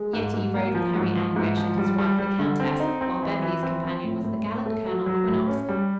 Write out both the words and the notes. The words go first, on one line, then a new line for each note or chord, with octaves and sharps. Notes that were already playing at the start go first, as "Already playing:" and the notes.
Yetive rode with Harry Anguish and his wife the countess, while Beverly's companion was the gallant Colonel Quinnox.
Already playing: G#3
G#2
G#2
A#3
F3
G#2
F3
G#2
F3
G3
G3
G3
D3
C4
D#4
C4
E3
E3
C4
C4
A2
A2
A2
A3
F#3
F#3
A2
C#4
G3